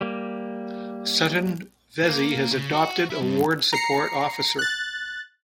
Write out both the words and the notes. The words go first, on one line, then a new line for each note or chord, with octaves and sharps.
Sutton Vesey has adopted a Ward Support Officer.
G3 A#3
A#3
C#3
F#4
E4
G2
A#5 C7 C#7
F#6 A6